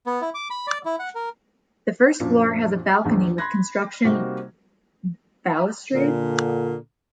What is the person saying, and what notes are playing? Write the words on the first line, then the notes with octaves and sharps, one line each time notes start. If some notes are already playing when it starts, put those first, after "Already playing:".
The first floor has a balcony with construction balustrade.
B3
E4
D6
B5
D5
E4
F#5
A#4
F#2 A#2 F3 D4
A#1 E2
B5 C6 F#6 G#6 A#6
C3 G3 A#3 C4 D#4 F#4
A#2 D3